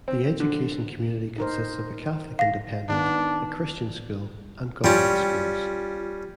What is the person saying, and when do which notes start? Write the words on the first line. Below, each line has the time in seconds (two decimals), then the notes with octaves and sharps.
The education community consists of a Catholic Independent, a Christian School and Government schools.
0.08 C4
0.40 D3
1.38 D#4 A#4 C5
2.39 F5 A#6
2.89 D#3 B3 D4
4.84 G3 C#4 F4 G5